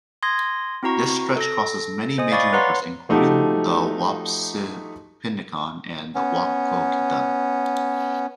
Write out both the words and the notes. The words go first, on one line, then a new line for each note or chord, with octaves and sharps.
This stretch crosses many major rivers including both the Wapsipinicon and the Maquoketa.
C6 D#6 G#6 A#6
C4 E4 F#4 A#5 C#6
A4 A#6
C5 D#5 G#5 D#6
D5 F5 B5 C#6 D6 A6
B4 C#5 F#5 A#5 C6
F3 A3 D#4 F#4 G4
B3 C#4